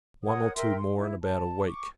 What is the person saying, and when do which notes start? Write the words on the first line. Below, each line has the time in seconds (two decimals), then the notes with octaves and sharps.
One or two more in about a week.
0.24 A#4 C#5 F#5 D#6
0.55 A#4 E5 G5 C6
0.76 C6
0.95 E4
1.22 A5
1.67 C#6 D6